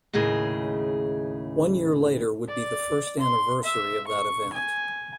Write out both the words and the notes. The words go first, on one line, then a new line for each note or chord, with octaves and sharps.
One year later would be the first anniversary of that event.
D#2 A2 C#3 G#4 D#5
D5
C6
E5
C#6
G#5